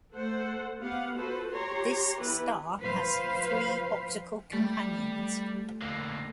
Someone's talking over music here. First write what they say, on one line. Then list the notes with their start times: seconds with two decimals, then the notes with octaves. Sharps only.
This star has three optical companions.
0.14 A3 A4 C5 F#5
0.79 B3 G4 F5 F#5
1.15 F#4 A4 B4 C5
1.53 G4 C#5 A#5 C6
2.19 E3 B3 E4 G4 B4
2.78 F3 B4 C5 F5
4.53 G3 A3
5.82 D3 A#3